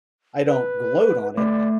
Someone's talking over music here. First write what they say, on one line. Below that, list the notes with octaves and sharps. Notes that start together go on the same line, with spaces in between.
I don't gloat on it,
B4
A3 D5